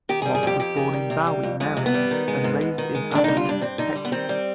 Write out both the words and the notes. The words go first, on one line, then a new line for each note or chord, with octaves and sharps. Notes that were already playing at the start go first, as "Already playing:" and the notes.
Moss was born in Bowie, Maryland and raised in Abilene, Texas.
D#3 G4
G3 G#4
G#4
F2 G4
F2 G4
D#3
G3
C3
G3
F2
F2 G#3
C3
B3
G3
D#3
G#3
G#2
G#2
D#3
G#3
D3 D4
G3 D#4
F4
G2 D4
G2 C4
D3 D#4
G3
B3
D#3 C4
G3